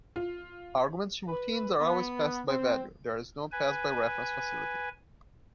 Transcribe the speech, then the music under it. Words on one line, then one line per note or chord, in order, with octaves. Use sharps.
Arguments to routines are always passed by value; there is no pass-by-reference facility.
F4
B4
B3
C4
B4 G#5